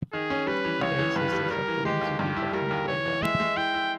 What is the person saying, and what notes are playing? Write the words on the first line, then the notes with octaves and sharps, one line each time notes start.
Today, Sisters of the institute are found worldwide.
D#3 G#4
C#4
G3 B4
E3
C#2 C#5
E3
G2 B4
G3
G3 A#4
E3
G#3 G4
D#2
G2 G4
E4
G3 A#4
D#2
E3 C#5
E3
G#3 E5
G#3
E4 G5
E4